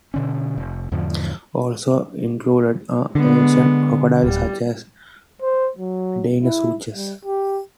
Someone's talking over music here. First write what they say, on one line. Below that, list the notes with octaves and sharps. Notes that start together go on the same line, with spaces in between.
Also included are ancient crocodiles such as "Deinosuchus".
B2 D3 C#4
F1
E2 G#2 D3 F3
D3 G#3 B3
D1 G3
C5
F#3
E4
G3
G4